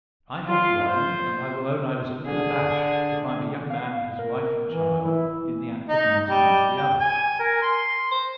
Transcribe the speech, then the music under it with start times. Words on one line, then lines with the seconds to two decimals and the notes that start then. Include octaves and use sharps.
I had one; and I will own I was a little abashed to find a young man and his wife and child in the act of mounting into the other.
0.47 F4 F5
0.88 C5
2.26 D3 G#4
3.70 F5
4.19 A#4
4.70 E3
5.05 E3 E4
5.89 D#4
6.30 G3
6.77 G5
7.00 G#5
7.39 A#4
7.62 C6
8.11 C5